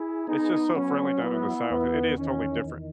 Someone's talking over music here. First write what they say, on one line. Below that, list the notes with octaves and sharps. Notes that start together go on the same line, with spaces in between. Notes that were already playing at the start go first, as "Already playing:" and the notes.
it's just so friendly down in the South, i it is totally different.
Already playing: E4 G#4
B3 D#4
F#3 C#4
B3 E4
E2 B3
D#3 C#4
E2